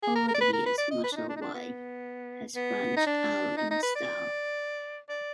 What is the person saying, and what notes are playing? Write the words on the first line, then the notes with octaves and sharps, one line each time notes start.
Over the years, Musselwhite has branched out in style.
G#4
A#4
A#4
D5
B4
A#4
B4
D5
D#5
B4
D4
D#4
D4
D#4
D4
B3
B3
D#4
D4
D#4
D#4
B4
D5
D5